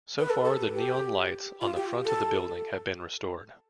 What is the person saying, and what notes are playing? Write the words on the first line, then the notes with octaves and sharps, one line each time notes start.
So far the neon lights on the front of the building have been restored.
B4
A4
A4
G4
G4
F4
G4
A4